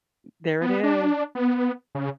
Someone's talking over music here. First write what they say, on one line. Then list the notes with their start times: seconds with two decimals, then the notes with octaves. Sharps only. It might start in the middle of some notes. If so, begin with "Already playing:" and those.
There it is.
0.61 B3
0.83 D4
1.35 B3
1.95 C#3